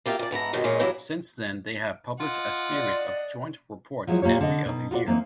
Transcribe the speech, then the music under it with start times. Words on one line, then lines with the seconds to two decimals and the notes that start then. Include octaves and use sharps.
Since then they have published a series of "Joint Reports" every other year.
0.06 A#3 F4 G4 E5
0.19 A#2 D5
0.31 G#2 B3 E4 A#5
0.53 G2 B2 D#3 G#3 C#4
0.64 E2 A#2 G#3 D#4 C#5
0.79 G2 E3 F#3 A#3 E4
2.20 F4 D#5 F#5
2.72 D5
4.07 F3 F#3 G#3 E4 F4 C#5
4.22 A#2 A#3 F4 G4 C#5
4.41 D3 D#5
4.65 B2 D#4
4.91 F4 F#4 A#4 D5
5.06 E3 A#3 C4 D#4